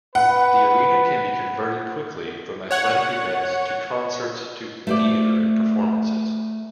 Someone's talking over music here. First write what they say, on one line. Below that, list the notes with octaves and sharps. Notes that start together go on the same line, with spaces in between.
The arena can be converted quickly from athletic events to concerts, to theater performances.
B4 F#5
C#5 F#5
A3 C5 D5